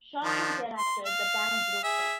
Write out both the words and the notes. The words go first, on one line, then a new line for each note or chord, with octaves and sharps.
Shortly thereafter, the band broke up.
D#3 F3 D4
C6
F5
G#4 E5